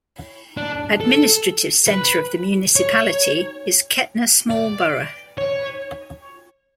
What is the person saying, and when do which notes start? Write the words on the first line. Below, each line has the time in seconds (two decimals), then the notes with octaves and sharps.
Administrative centre of the municipality is Kehtna small borough.
0.57 D4
1.00 A4
1.88 B4
2.76 C#5
4.51 D5
5.38 C#5